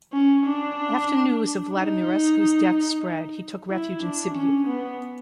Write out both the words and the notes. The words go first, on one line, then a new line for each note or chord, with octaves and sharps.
After news of Vladimirescu's death spread, he took refuge in Sibiu.
C#4
D4
D#4
E4
D4
C#4
B3